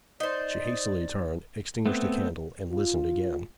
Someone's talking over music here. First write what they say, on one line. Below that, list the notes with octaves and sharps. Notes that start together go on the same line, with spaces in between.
She hastily turned, extinguished the candle, and listened again.
D#4 C5 D5
A3 B3 C4
F4